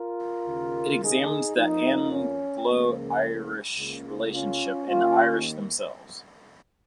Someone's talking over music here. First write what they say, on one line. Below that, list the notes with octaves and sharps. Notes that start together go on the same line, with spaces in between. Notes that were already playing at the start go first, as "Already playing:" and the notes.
It examines the Anglo-Irish relationship, and the Irish themselves.
Already playing: F4 A#4
D#2 C#3 A#3
D#4 G#4
F2 F3 A#3 D#4
C#4
C#2 C#3 F3 A#3
C#2 C#3 A#3
C#4 F4
D#2 D#3 A#3 C#4 F4